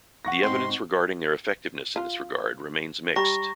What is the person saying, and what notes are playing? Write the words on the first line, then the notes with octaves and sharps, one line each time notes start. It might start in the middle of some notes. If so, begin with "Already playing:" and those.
The evidence regarding their effectiveness in this regard remains mixed.
F#5 C#6 A#6
G#2 C4 C6
F4
G3 A#5 C#6 A#6